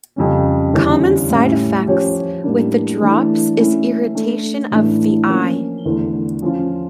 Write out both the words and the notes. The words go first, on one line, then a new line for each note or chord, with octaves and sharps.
Common side effects with the drops is irritation of the eye.
F2 C#3 G3 C#4
E2 D3 G3 C#4
A2 G3 C#4
F3 C#4 G4 C#5
A2 G3 A#3 D4
E3 A3 D4
A3 C#4 E4
A3 D4 A4
A2 E3 A3 D4
F3 A#3 C#4
E2 D3 A3
F3 C#4 F4